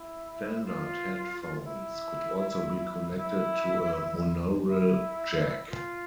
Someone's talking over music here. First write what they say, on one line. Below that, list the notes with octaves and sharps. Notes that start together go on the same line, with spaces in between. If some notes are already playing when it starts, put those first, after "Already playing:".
Standard headphones could also be connected to a monaural jack.
Already playing: E4
F4
E4
E4
E4
F4